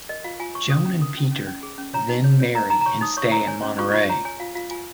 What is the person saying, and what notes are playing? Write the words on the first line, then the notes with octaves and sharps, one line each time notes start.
Joan and Peter then marry and stay in Monterey.
A#4 D#5
F4 F5
F4 G#5
C#5 C#6
C#4 D#6
C#4
A#4 D#6
C#4
C#4
C#4
G#4
C#4
C#5 A#5
D#4
C#5
C#5
A#4 A#5
D#4 A#5
A#5
C#5 C#6
D#4 D#6
C#5 C#6
A#4 A#5
C#5 G#5
C#4
F4 C#6
F4 C#6
C#5 A#5
C#5 G#5
F4 F5
F4 F5
F4 G#5